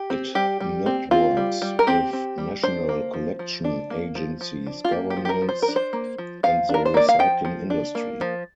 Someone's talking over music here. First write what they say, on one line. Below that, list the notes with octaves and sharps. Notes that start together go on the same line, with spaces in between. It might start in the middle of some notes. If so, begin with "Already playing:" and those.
It networks with national collection agencies, governments, and the recycling industry.
Already playing: G4
C4
G3 G4
G3
C4
C4 F4
G3
G3
A#4
C4 G4
C4
G3
D4 C5
A#3
F3
F3
D4
A#3
F3
F3
D4
F4
A#3 G4
G4
F3
G4
A#4
F3
C5
A#4
D4
C5
A#3
F3
F3 F5
D4 A#4
C5
A#3 D5
F5
F3 G5
F3
D4
A#3
F3